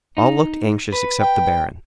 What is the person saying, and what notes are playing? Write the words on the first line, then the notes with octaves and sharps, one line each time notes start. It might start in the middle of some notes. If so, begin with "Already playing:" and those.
All looked anxious except the baron.
D#4
B4
G5